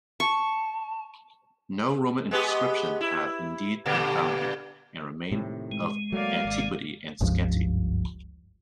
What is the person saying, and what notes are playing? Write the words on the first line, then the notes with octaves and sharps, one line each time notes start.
No Roman inscriptions have, indeed, been found here, and remains of antiquity are scanty.
A5 C#6
G#3 B3 G4
E4
G2 A#2 D3
A2 C3 D#3
G#3
F#3 A3 A#3 D5 F5
G#1
F#1 C#2 G2 F3